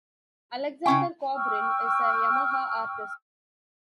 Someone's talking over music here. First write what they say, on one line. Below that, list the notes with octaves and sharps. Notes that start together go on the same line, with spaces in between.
Alexander Kobrin is a Yamaha Artist.
C#3 C#4 G5 G#5 C#6
G5 C#6 E6 F6